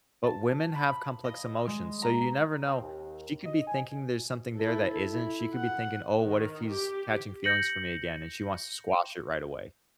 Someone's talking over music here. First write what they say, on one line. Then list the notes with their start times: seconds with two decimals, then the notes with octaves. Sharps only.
But, women have complex emotions, so you never know. She could be thinking there's something there that isn't. She could be thinking, oh, what if he's catching feelings for me again, and she wants to squash it right away.
0.24 A5
0.75 B5
1.24 D#5
1.67 G#3
2.02 A#5
2.67 C4
2.82 D#2
3.46 D#5
3.68 G#5
4.57 E4 A4
5.13 E4
5.55 F#5
6.23 D#3
6.69 G4
7.44 G6 A#6 C#7 F#7